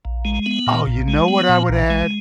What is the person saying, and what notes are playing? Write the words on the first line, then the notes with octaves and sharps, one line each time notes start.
Oh, you know what I would add?
A#1
G#3
B3
A#2
A#1
G#3
B3
A#2
A#1
G#3